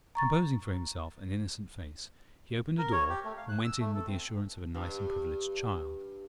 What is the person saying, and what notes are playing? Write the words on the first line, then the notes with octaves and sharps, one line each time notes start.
Composing for himself an innocent face, he opened a door, and went in with the assurance of a nice and privileged child.
A#5 C#6 A6
A#4
C#5
G4
A3
F5
F#6
E6
A3
A4
C4
G2